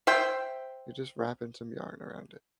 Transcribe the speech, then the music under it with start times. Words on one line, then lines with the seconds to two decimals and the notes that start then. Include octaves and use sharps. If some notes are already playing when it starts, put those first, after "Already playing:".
you're just wrapping some yarn around it,
0.07 C5 E5 G5